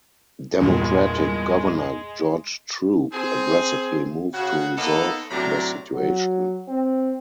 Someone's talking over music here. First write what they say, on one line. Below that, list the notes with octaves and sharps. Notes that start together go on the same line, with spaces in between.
Democratic Governor George Troup aggressively moved to resolve the situation.
E2 G2 A#2 G#3
C4 G#4
C#3 F#4
A#3 B3 D#4 A4
A2 C3 F#3 D4 D5 A#5
F#3
C4